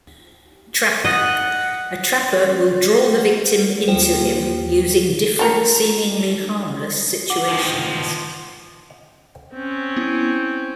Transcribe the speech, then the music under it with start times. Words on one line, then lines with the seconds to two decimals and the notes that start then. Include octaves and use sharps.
Trapper: a trapper will draw the victim into him using different seemingly harmless situations.
1.04 D#5 F#5
3.18 F#5
3.88 D#2 F3 C5 G5
5.39 A4 A#4
7.30 F#5 D6 F#7
7.49 D#3 F3
9.52 C4 C#4
9.97 B3 E4